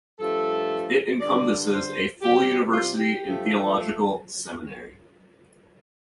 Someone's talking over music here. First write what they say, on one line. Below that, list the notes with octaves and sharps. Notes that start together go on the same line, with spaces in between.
It encompasses a full university and theological seminary.
G2 F3 A3 A4
G2 D3 G3 D5
C5
C3 G3 G4
F4
G4
G2 F3 A3